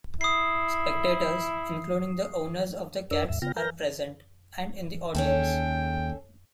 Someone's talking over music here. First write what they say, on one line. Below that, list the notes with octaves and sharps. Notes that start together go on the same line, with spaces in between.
Spectators, including the owners of the cats are present and in the audience.
E4 D#6 C7
F2 D4 A#4 D5 E6
D#2 G#2 E5
C#3 B3 F4 G5 F6 A#6
A#4 B4 A#5 F6 G6 A#6
D#2 C#4 G#4 A4 G5